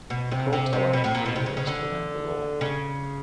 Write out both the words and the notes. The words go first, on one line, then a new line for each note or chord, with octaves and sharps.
The court allowed three years to amend the law.
B2
C3
C3
C3
B2
A2
A#2
B2
C3
C#3
C#3
D3
C#3